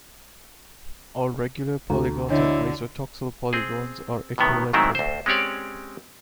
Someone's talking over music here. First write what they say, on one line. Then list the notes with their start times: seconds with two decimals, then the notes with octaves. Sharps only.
All regular polygons and isotoxal polygons are equilateral.
1.90 D2 A#5
2.30 D3 D4 E4 C#5 D#5
3.53 C4 G#4
4.38 A2 C3 D#3 B3
4.73 G#2 D#3 F#3 A3 C4 E4
4.95 D2 C5
5.26 G#3 C4 C#4 G4 C#5 D5